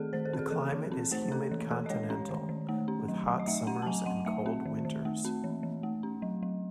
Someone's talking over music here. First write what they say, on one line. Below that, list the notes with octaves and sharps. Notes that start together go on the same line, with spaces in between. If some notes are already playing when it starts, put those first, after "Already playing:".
The climate is humid continental, with hot summers and cold winters.
Already playing: D#3 A3 C4 G#4 A4
D#3 C5
A4
C4
G#4
E3 A4
E3
C4
A3 C5
C#4 A4
E3
E3 A4
D#5
G#3 C#5
C#4
D#3
D#3
A3
C#4
F#3
F#3
D#5
A3 E5
C#4 F#5
A5
F#3 G#5
F#3 F#5
A3 E5
C4
D#3
D#3
A3
C4
E3
E3
A3
C#4
F#3
F#3